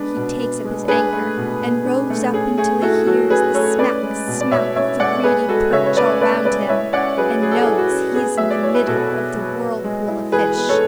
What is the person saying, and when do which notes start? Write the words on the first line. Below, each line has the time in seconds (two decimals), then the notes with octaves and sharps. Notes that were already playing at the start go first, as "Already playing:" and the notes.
He takes up his anchor, and rows up until he hears the smack, smack of the greedy perch all round him, and knows he is in the middle of the whirlpool of fish.
Already playing: G#3 B3 D4 B4
0.16 B2
0.40 B3
0.64 G#3
0.88 D4 G#4 B4
1.13 A3
1.37 B2
1.62 B2
1.85 D4
2.10 A3
2.33 C#4 G#4
2.58 A3 G#4
2.82 E4 F#4 A4
3.06 F#3 F#4 A4
3.30 C#4 G#4 B4
3.54 A3 A4 C#5
3.79 C#4 B4 D5
4.03 G#3
4.27 B2
4.41 D5
4.51 B2 C#5 E5
4.76 C#4 C#5 E5
5.00 G#3 D5 F#5
5.23 B3 G#4 B4
5.48 G#3 F#4 A4
5.72 C#3 C#5 E5
5.86 C#5
5.96 C#3 B4 D5
6.21 B3 B4 D5
6.45 G#3 B4 D5
6.69 E4 C#5 E5
6.93 C#4 D5 F#5
7.18 F#3 G#4 B4
7.42 F#3 G#4
7.51 A4
7.62 E4 G#4
7.78 F#4
7.90 C#4
8.15 B3 G#4
8.37 F#3 E5
8.50 D5
8.63 E4 C#5
8.74 B4
8.87 B2 F#4 A4
9.11 B3
9.35 F#3
9.60 B3
9.84 G#3
10.08 E4
10.32 E3 G#4 B4
10.57 B3
10.69 A4 C#5